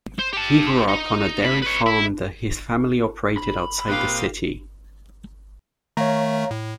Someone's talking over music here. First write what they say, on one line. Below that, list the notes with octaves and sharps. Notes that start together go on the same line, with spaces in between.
He grew up on a dairy farm that his family operated outside the city.
C5
G4 A5
D#4
A2 B5
B4 C#5
E4
B5
A#2 C4 G4 F5 D#6 F#6
D#3 A3 C#5 F5 A#5
A2